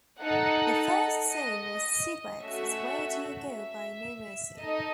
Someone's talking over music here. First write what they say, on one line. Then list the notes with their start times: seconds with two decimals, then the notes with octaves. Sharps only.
The first song as "SuperX" was "Where Do You Go" by No Mercy.
0.20 D#4 A4 F#5
1.31 D#5
2.40 A3 C#4 F#4 E5
3.50 E5
4.60 D#4 A4 D#5